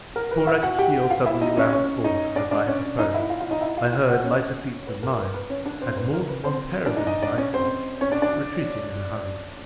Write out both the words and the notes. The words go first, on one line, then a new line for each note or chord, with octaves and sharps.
Before I could steal suddenly round the corner, as I had proposed, I heard lighter feet than mine--and more than one pair of them as I thought--retreating in a hurry.
A#4
B4
E4 E5
F#4 F#5
G4 G5
F4 F5
E4 E5
D#4 D#5
C#4 C#5
C#4 C#5
D#4 D#5
D4 D5
D4 D5
C#4 C#5
D#4 D#5
E4 E5
F4 F5
F4 F5
D#4 D#5
E4 E5
F4 F5
F4 F5
F#4 F#5
C#4 C#5
B4
A#4
B4
B4
C#4 C#5
D4 D5
C4 C5
B4
A#4
B4
C4 C5
D4 D5
D#4 D#5
D#4 D#5
D4 D5
C#4 C#5
C4 C5
C#4 C#5
D4 D5
D4 D5